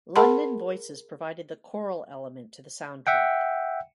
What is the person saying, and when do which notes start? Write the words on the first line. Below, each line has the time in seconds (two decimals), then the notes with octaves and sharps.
London Voices provided the choral element to the soundtrack.
0.16 G#4 A#4 F#5 A5 B5 C6
3.07 E5 F#5 G5